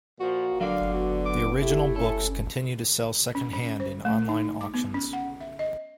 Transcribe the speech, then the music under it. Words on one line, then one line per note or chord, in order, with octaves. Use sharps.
The original books continue to sell second-hand in online auctions.
A#2 F3 F#4
D3 F#3 D5 F5
B3 F#4
D6
A3 E4 G4
C#4 A4
C#4
C#4
C5
A3
D#4
D6
B3
C#4
F#5
E5
D#5